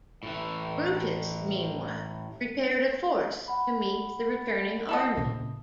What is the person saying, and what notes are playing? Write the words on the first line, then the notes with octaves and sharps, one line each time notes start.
Brutus, meanwhile, prepared a force to meet the returning army.
A2 E3
F#5 B5
E4 A4 D#5
A#2 C#3